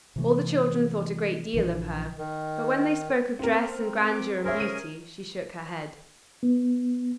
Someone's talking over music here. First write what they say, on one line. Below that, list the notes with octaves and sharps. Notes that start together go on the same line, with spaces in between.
All the children thought a great deal of her; but when they spoke of dress, and grandeur, and beauty, she shook her head.
C3 E3 A3
A#1 D3 E3 F3
D#3
C4 A#4
D6
C#4 G#4 A#4 C5 E5
D#7
B3